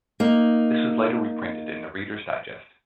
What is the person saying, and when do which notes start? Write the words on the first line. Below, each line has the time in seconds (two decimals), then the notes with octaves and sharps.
This was later reprinted in "the Reader's Digest".
0.20 A#3 D#4